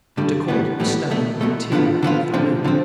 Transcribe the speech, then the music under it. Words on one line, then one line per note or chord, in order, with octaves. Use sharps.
The dacoit was studying the interior of the room.
G2 D3 G3
A2 E3 G3 B3
A2 E3 G3 B3
C2 B2 A3
C2 B2 A3
D3 F3 B3 F4
D3 F3 B3 F4
D3 F3 C4
D3 F3 C4